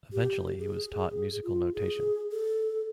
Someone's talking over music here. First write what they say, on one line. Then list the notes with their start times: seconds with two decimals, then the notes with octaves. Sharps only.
Eventually he was taught musical notation.
0.13 G4
0.59 G#4
1.44 F4
1.74 G#4
2.32 A4